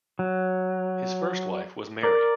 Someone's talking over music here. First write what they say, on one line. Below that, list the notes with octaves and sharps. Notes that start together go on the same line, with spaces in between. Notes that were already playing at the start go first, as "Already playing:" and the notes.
His first wife was Mary.
F#3
A#4 D5